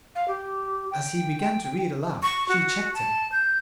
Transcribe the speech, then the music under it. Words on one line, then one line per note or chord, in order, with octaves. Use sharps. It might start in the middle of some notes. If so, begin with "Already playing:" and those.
As he began to read aloud she checked him.
F5
G4
G5
C#6
F#4
A5
G6